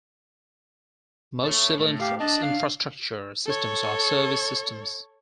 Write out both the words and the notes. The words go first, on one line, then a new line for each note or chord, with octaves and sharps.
Most civil infrastructure systems are service systems.
A4 C#5
A2
G4 F5
D4 D#5 A5
F5 F6
A4 C#5